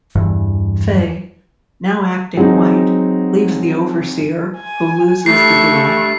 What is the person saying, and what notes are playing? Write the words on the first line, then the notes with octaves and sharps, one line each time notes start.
Fey, now acting white, leaves the Overseer, who loses the duel.
E2 G2 E3
F#3 G#3 C4 D#4
G#5
G2 A3 C#6 C7